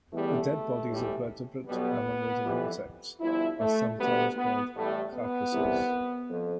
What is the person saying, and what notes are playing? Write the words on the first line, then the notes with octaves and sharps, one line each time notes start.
The dead bodies of vertebrate animals and insects are sometimes called "carcasses".
E2 B2 G3 A3
B1 A2 E3 G3
B1 B2 G3 B3
F2 E3 G3
G1 G2 F3 E4
A3
D2 C3 G3 B3
B3
A1 A2 G3 A3
B3
C2 C3 E3
F2